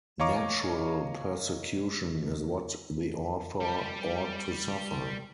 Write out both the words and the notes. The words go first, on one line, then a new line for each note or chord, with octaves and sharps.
Natural persecution is what the author ought to suffer.
C#5 D#5 F5 A#5 C#6 D6
G3 G4